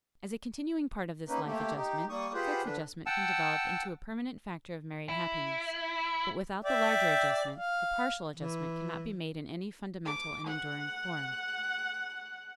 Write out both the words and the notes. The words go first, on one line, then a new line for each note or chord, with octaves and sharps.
As a continuing part of this life adjustment, sex adjustment can develop into a permanent factor of married happiness; but without the larger adjustment, the partial adjustment cannot be made in any fundamental and enduring form.
A#3 C#4 D#4 B4
C3 A3 A#3 G4
D#4 G4
G3 A#3 C#6 D#6
F4 G4 G#4 B4 C5 F#5
D3 D4 B4
F#5 G5 A5 E6
E4
D5 E5 G5
F5
E3
D6
F#5